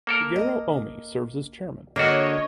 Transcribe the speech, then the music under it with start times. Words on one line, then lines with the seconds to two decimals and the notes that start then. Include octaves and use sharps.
Shigeru Omi serves as chairman.
0.07 A#3 A4 A#4
0.36 D#5
1.96 D3 A#3 D4 F#4 C#5 D#5